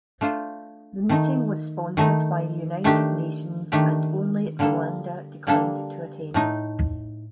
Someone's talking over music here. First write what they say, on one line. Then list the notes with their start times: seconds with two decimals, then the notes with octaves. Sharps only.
The meeting was sponsored by the United Nations, and only Rwanda declined to attend.
0.21 A3 D4 F4 C5
1.09 D#3 A3 D#4
1.97 D#3 A3 D#4
2.84 D#3 A3 D4 G4
3.72 D#3 A3 D4 G4
4.59 D3 G3 A#3 D4 A4
5.47 D3 G3 A#3 D4 A4
6.34 A2 A3 D#4